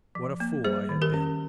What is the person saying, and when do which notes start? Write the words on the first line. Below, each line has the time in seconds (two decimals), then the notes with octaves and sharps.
What a fool I had been!
0.15 F3
0.40 A#3
0.64 G3 G#4 C5
0.89 D#3
1.02 G4 A#4
1.14 C#4